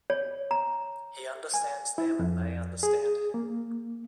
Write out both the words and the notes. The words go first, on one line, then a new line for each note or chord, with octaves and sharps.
He understands them and they understand him.
C#5
A#5
G#5
E4
F2
G#4
A#3